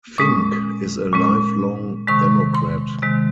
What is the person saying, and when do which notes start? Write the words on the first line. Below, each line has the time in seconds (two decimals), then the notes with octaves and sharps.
Fink is a lifelong Democrat.
0.18 A#2 G#3 C#4 D#6
1.13 A#2 G#3 C#4
2.08 C3 D#3 G#3 C#6
2.55 C6
3.02 C3 D#3 G#3